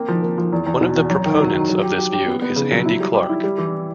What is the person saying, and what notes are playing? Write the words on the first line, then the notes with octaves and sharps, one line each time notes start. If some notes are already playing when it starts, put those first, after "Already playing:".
One of the proponents of this view is Andy Clark.
Already playing: A#3 C4
F3
A#3
F3
E2
E2
B2
E2
F#2
D#3
F#3
D#3
F#3
G4
G4
G4
B3
B3
C#3
F#3
E4
G3
G4
E4
G3
E3